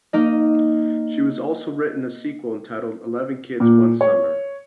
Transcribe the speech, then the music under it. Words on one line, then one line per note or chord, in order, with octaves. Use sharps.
She has also written a sequel entitled "Eleven Kids, One Summer".
A#3 D#4 D#5
A#2
C#5